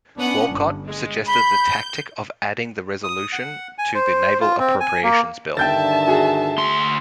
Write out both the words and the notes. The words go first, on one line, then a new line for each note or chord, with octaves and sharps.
Walcott suggested the tactic of adding the resolution to the Naval Appropriations Bill.
B3 C#4 D4 F#5
G1
G#3 D#5
B5 G6
D#6
F#5
G#5
C5
F4
C4
G#5
A#3
G2 D3 D#3 E5 G5 A5 G6 A6
F#4 G#4
D2 C6